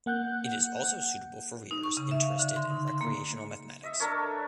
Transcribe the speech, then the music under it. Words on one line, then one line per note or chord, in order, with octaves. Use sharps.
It is also suitable for readers interested in recreational mathematics.
A#3 F#5 F#6 G6
D#4
C#6
C#3
E5
F5
D3
C6
D#4
C6
A#3
D#5 E5
D4 A4 A#4 C#5